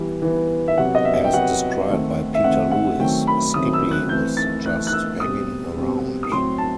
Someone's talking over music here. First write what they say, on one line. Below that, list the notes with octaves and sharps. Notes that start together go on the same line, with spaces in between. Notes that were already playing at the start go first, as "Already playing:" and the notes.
As described by Peter Lewis, Skippy was just hanging around.
Already playing: E3 G3 B3
E3 G3 B3
E5
C3 F#3 B3 F#5
D#5
E5
G5
C3 F#3 B3 F#5
D#3 A3 C4
E5
D#3 A3 C4 F#5
F#5
D#3 F#3 A3 C4 G5
B5
D#3 F#3 A3 C4 D#6
E6
F#6
E3 A3 C4 G6
A6
E3 A3 C4 F#6
F#6
E6
B2 G3 C4 D#6
B2 G3 C4
D#6
A2 F#3 C4 C6
A5